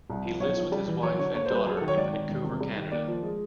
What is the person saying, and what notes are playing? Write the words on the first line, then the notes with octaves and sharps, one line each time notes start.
He lives with his wife and daughter in Vancouver, Canada.
C2
F3
B1 C#5
F3
G3
E3
F#3 C#5
D3 C#5
A#3 C#5
C5
G3 B4
F#3 G#4
A4
D#3
C#5
G#1 D5
D#3
E1
C3
G3
D#3
A#3 D5
F3
G#3